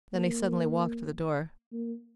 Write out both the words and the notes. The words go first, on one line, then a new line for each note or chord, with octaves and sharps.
Then he suddenly walked to the door.
A#3
A#3